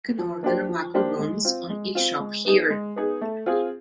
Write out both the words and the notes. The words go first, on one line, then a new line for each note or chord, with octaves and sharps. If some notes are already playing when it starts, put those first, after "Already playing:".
You can order macaroones on e-shop HERE!
F3
A#3 D4 G4 C5
F3
A#3 D4 G4 C5
G#3
C4 F4
G#3
C4 F4
G#3
B3 D#4 G#4
G#3
B3 D#4 G#4
A3
C4 F4 G#4